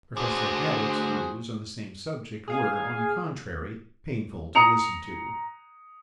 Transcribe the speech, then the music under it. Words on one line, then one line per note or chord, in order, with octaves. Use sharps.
Professor Haddock's views on the same subject were, on the contrary, painful to listen to.
D2 D3 F#4 G#4 C5
G#4 F5 G#5
A#5 D#6 C#7 F7